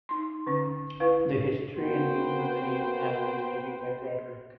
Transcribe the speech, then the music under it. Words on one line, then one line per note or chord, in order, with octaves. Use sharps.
The history and meaning of the name have been studied by Broderick.
D#4 C6
D3 C#4
E4 B4 F5
A#3 B3 F#4 B4 C5 G5